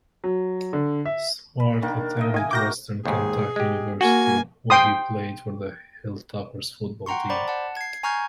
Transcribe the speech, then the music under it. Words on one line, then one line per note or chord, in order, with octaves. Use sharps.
Smart attended Western Kentucky University, where he played for the Hilltoppers football team.
F#3
D3
E5
B5
D#3 A#3 D4
D#5 E5 G5
D#3 G#5
D#3 F#4 A#4 D6 G6 A#6
D#2 G#2 G#4
G#3 G4
A#3 F#4 G#5
G5 C6 D#6
F#5 G5 A#5 C6 C#6
C5 D5 B5 D6
F#5 A5
G#6 C7
G#5 A#5 C#6 F6 G6 G#6